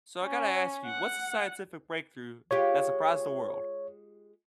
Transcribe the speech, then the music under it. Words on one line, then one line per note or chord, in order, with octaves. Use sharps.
So I gotta ask you, what's the scientific breakthrough that surprised the world?
C#4
F#5
G#3 F4 G4 C#5